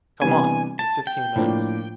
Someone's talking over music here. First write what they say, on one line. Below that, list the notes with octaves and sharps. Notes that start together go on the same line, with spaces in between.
Come on! In fifteen minutes...
C3 E3 G3 B3 D4 G#5
A5
G5
A2 F3 A#3 D4